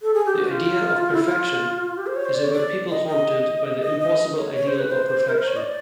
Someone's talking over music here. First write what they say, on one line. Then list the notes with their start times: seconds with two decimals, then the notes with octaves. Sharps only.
"The Idea of Perfection" is about people haunted by the impossible ideal of perfection.
0.02 A4
0.14 G#4
0.26 G4
0.38 F#4
0.50 F4
1.13 E4
1.24 F4
1.97 G4
2.07 C5
2.16 C#5
2.25 C5
2.34 D5
2.44 C#5
2.53 D5
2.90 D#5
3.07 D#5
3.82 D#5
4.00 D#5
4.37 C#5
4.55 C#5
4.67 C5
4.79 B4
4.91 C5
5.29 A#4
5.38 C5
5.47 C#5
5.56 D#5
5.61 D5